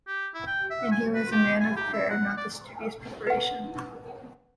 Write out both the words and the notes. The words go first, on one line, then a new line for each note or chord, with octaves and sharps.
And he was a man of prayer not of studious preparation.
G4
E4
G5
E5
G#5
B4
G4
G#5
G4
E5
F#5
D5
B4 F#5